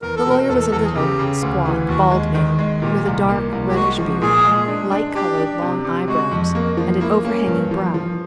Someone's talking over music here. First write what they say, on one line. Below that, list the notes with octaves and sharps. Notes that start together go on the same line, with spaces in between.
The lawyer was a little, squat, bald man, with a dark, reddish beard, light-colored long eyebrows, and an overhanging brow.
E2 A#4
A4
B2 A#4
E2 A4
A4
E2 A4
G#4
C#3 G4
C#3
D2
E3
D#2 F#4
G#3
D#3
G#3
A#2 G4
C2
A#3
C2
G4
G#3 F#4
F3
A#2 G#4
G#3
D4
D4
D4 G4
D4
C3
C3
G#3 F#4
F2
A#3
F3
A#3 E4
A#3 C#4
G2
F3
F3